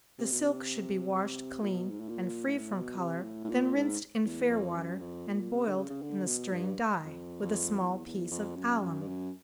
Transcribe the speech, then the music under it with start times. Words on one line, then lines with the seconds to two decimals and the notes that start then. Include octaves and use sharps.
The silk should be washed clean, and free from color, then rinsed in fair water, and boiled in the strained dye, with a small piece of alum.
0.18 C3
0.31 B2
0.44 C3
1.62 A#2
1.71 B2
1.90 G#2
2.00 A2
2.09 A#2
2.47 A2
2.73 B2
2.97 C3
3.22 A2
3.44 A2
3.49 A#2
3.74 G#2
4.25 E2
4.49 F2
4.75 F#2
5.00 F2
5.27 A#2
5.52 C3
5.66 D3
5.77 C#3
5.90 C#3
6.02 D3
6.27 B2
6.53 G2
7.04 F2
7.42 F2
7.80 E2
8.06 E2
8.31 F2
8.56 F#2
8.81 F#2
9.01 G2
9.07 F#2